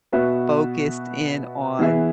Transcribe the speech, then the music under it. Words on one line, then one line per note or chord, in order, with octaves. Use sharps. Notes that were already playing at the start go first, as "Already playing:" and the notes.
focused in on
B2 B3 F#4 B4 E5
E3 B3 G#4 E5